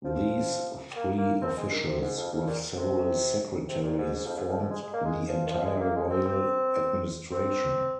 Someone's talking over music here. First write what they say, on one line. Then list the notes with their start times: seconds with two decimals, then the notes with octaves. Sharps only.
These three officials, with several secretaries, formed the entire royal administration.
0.05 F3
0.96 A#3
1.18 A#3
1.42 C4
1.57 G#3
1.72 D#3
1.87 C3
2.02 G#2
2.17 F2
2.32 F2
2.47 A#2
2.77 C3
3.68 C3
3.83 A#2
3.98 G#2
4.14 G#2
4.25 F2
4.36 G#2
4.48 F2
4.60 G#2
4.70 G#3
4.82 G#3
4.93 A#3
5.05 G#3
5.27 F3
5.46 D#3
5.50 F3
5.65 G#3
5.81 A#3
5.96 G#3
6.10 C4
6.25 C4
7.32 C4